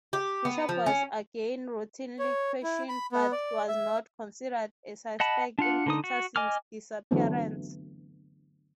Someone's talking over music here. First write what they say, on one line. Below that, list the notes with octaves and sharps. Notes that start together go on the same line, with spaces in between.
Bishop was again routinely questioned, but was not considered a suspect in Peterson's disappearance.
G4
B3
F3
C#4
C#5
E4
B5
B3
D5
E5
D#5 F#5 A5 B5
D4 F4 F#5
D3 D#4 D#6
F#4
D#5 G#5 D6 F6
D3 E3 F#3 A3 B3 C4